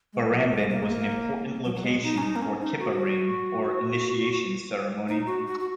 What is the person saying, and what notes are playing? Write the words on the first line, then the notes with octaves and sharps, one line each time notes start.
Barrambin was an important location for "kippa-ring" or initiation ceremony.
G#3
F#3
G#3
A#3
G#3
A#3
F#3
F#3
G#3
D#4
C#4
D#4
A#3
C#4
D#4
F#4
D#4
F#4
F#4
F#4